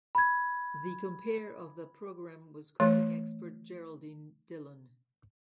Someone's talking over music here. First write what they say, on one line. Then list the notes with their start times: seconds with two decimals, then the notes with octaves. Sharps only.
The compare of the program was cooking expert Geraldine Dillon.
0.15 B5 G#6
2.80 E3 A3 C#5